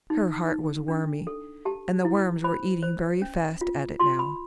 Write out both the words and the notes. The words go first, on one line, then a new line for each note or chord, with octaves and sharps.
Her heart was wormy, and the worms were eating very fast at it now.
D#4
D#4
D4
A4
G4 A5
E4
C5 B5
C5
C#4
F4
F4 C6
B5